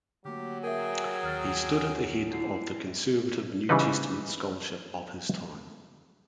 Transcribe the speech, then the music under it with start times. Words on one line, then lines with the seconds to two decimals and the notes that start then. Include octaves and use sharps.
He stood at the head of the conservative New Testament scholarship of his time.
0.25 D3 F#3 A3 A#3 G4
0.63 G#4 A#4 E5 G5 G#5
1.23 D#2 D#6 F6 A6
2.30 D3 E4 C7
3.69 C#3 E3 G3 D#4 B4